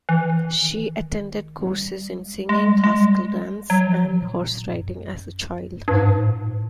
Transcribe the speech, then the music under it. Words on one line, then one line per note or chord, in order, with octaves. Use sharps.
She attended courses in singing, classical dance, and horse-riding as a child.
E3
D#3
G3
G#3
G3
G#3
G3
G#3
G3
F#3
F3
D#3
A#2
F#2
G2
G2
G#2
A2
A#2
A2